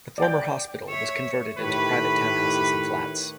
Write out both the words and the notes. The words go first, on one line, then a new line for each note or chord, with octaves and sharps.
The former hospital was converted into private townhouses and flats.
D5 G5
C#5 E5
A2 D#3 G4 B4 C#5 B5